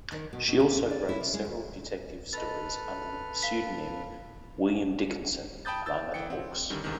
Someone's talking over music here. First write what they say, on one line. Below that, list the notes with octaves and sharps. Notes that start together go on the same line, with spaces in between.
She also wrote several detective stories under the pseudonym "William Dickinson", among other books.
D#3
B2
B2
G4
G#2
D5
E4
C3
G#3
D2
A4 B4 D#5 F6 A6
F5 B6
G5 A5 B5 D#6 G6 A6
E6 G6 A6
E3 G5 C#7
C4
D3 D#3 G3 C#4
E2 G#2 C3 D#3